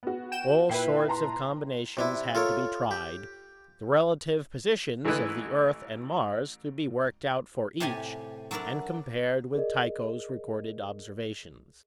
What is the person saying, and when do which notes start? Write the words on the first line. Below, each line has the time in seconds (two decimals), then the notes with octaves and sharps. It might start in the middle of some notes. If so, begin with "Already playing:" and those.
All sorts of combinations had to be tried, the relative positions of the earth and Mars to be worked out for each, and compared with Tycho's recorded observations.
0.03 B3 F#4
0.32 G5 E7
0.70 A#2 E4 B4 E5 G5 C7
1.08 A5 A#5 C6
1.97 C3 D4 E4
2.35 F4 A4 A#4 C#5
2.91 G4
5.05 A1 E3 G#3 A3 E4 B4
7.80 A2 C3 G4 D5 G#5
8.51 F#3 D4 E4 A#4 D5
9.55 G#4 A#4 D5 D#5